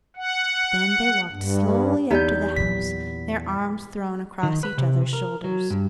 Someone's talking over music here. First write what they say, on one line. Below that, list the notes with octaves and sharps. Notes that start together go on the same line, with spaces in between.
Then they walked slowly up to the house, their arms thrown across each other's shoulders.
F#5
G2
E2 B3 D#4 G4 G6
A#2 F#3 B6
D#3
B4
C3
A#4
F#3
G2